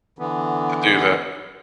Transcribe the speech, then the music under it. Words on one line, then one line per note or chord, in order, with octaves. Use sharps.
to do that.
D3 E3 B3